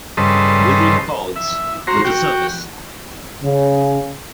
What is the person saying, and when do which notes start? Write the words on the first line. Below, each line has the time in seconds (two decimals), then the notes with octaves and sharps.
William Faulds, with the service.
0.17 G2 C#3 A4 B4 C5 D#5
1.36 E5
1.87 F#4 C5 A#5
2.04 F#4 G5
3.43 C#3